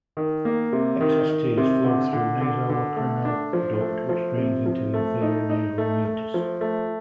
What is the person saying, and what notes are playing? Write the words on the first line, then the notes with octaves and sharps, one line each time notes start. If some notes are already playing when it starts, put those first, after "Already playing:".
Excess tears flow through nasolacrimal duct which drains into the inferior nasal meatus.
D#3
A#3
C3
D#3
D#3
C3
D3
D3
D3
D3
A3
D4
F3
A3
F3
C3
F3
A3
D#4
D#4
A3
A3
F3
A3